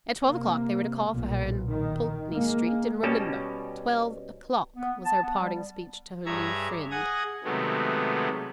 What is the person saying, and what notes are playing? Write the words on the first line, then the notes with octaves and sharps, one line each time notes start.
At twelve o'clock, they were to call for her in Pulteney Street; and "Remember--twelve o'clock," was her parting speech to her new friend.
C3 A#3
B1 A#2
D#3
G#3 A#3
B2 G3 C#4 A5
B3
A5
B3
G3
G2 G#4 C#5 E5 A#5 G#6
G#4 F#5 D#6 G#6 A#6
C3 D#3 F#3 G#3 A3 B3